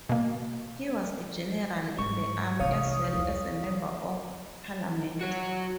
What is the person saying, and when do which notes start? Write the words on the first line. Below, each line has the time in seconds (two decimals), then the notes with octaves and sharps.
He was a General in the Army as well as a Member of Parliament.
0.09 B2 A#3
1.99 G#2 C#6
2.59 C2 E3 C#5 F5 D#6
3.13 E2
5.20 F#4 C#5